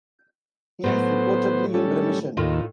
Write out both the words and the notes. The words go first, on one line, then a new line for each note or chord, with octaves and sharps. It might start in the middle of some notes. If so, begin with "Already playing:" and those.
He is reportedly in remission.
A2 F#3 A3 B3 C5
G3 C#4 A4
D#2 A2 D#3 F4